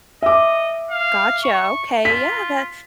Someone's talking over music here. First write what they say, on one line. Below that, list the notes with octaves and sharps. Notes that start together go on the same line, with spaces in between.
Gotcha. Okay, yeah! That
D#5 E5 D6
F5
C#6
F4 B6